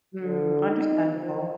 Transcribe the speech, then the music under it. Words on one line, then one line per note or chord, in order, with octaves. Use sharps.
Hmm, understandable.
D3
D#4
F3